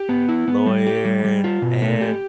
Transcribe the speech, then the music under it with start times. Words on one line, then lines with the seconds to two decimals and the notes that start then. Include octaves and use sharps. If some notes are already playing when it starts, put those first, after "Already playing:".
lawyer, and
Already playing: G4
0.09 B3
0.29 E4
0.48 B3
0.66 G3
0.87 G4
1.05 G3
1.24 G3
1.44 F4
1.62 B2
1.82 A3
2.01 G4